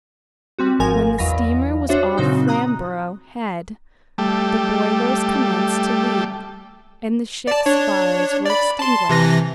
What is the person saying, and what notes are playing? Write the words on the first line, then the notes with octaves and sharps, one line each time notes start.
When the steamer was off Flamborough Head the boilers commenced to leak, and the ship's fires were extinguished.
G3 C4 F#4
G#1 G#2 F3 A#4 G#5
E2 F#3 D#5 F5 B5 A#6
D4 F#4 C5 C#5 E5
A#2 C#3 F#3 C4 D#4 F#4
A#5 D#6 F#6
G3 A3
D5 A5
D4 C#5
D5 B5
A5 C6
C3 E3 A#6